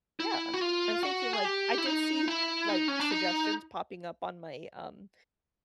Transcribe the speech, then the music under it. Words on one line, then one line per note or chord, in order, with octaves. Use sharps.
yeah, I'm thinking like, I did see, like, suggestions popping up on my, um,
E4
F#4
F4
F#4
G#4
G4
E4
D#4
E4
D#4
C#4
D4
D#4